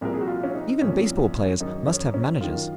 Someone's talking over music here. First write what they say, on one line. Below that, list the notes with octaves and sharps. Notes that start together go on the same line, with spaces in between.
Even baseball players must have managers.
C2 A#2 F3 A#4
G#4
F#4
F4
C#4
D#4
C2 A#2 F3 C#4
F#2 D#3 D#4
C#4
C#4
F#2 D#3 F4